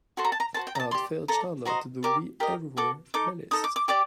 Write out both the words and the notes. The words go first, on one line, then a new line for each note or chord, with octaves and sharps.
Add Fair Charlotte to the We Everywhere playlist.
F#4 A4 C5 C6
A#5
A5
A#5
F#4 A4 C5 A5
G5
A#5
A5
G4 D5 C6
A4 D5 A#5
F#4 C5 D#5 A#5
G4 A#4 D5 D6
G4 A#4 D#5
F#4 A4 D6
D#4 A4 D6
D#4 A4 D#5 D#6
D6
D6
G4 D5 D6